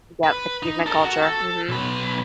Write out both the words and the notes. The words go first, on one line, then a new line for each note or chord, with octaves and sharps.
Yep. Achievement culture. Mhm.
B4
D#4
A4 A#4
F#4
A4
B1 B4